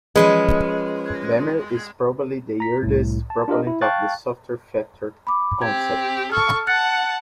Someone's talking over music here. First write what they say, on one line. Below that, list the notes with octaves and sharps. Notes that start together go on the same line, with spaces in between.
Bemer is probably the earliest proponent of the Software Factory concept.
F3 G#3 C#4 B4
A#5 B6
C2 A2
A5
D4 F4 G4 A#4 D#5
E4
F5 G5 A5 C#6 F#6 A6
B5 D6
C4 G4 G#6
A4 C#6 F6
F#5 A5 F#6 A6 C#7